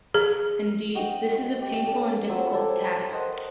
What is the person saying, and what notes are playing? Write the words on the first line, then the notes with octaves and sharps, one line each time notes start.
Indeed, this is a painful and difficult task.
G#4
F#4 D#5 G5 D#6
G4
C#4 A4
F3 F#3 F5 E6
G4 A4 C#5 D5
A#4 C5 D#5 F#5